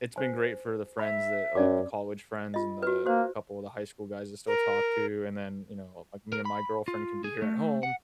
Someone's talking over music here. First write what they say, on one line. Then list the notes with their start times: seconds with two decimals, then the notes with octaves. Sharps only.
it's been great for the friends that, like the college friends and the a couple of the high school guys I still talk to, and then, you know, like, me and my girlfriend can be here at home.
0.16 C5 G#5
0.99 E5 B5
1.55 F#2 C#4 D5 D6
2.54 F4 D#5
2.83 F#4 B4
3.06 A#3 F#4 C5
4.47 A#4
6.33 A#4
6.45 B5
6.88 F4
7.24 G#4
7.42 A3
7.83 F#5